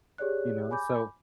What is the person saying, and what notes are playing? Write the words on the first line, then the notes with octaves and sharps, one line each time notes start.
You know? So
G4 G#4 C#5 D5 F#6
G#5 B5 D6 G6